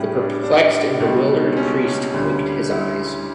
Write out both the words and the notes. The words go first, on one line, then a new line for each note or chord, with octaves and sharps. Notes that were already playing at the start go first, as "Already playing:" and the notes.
The perplexed and bewildered priest winked his eyes.
Already playing: A2 G3 C#4
D4
D4
C#2 B2 G3
C#4
D2 D3 G3
E4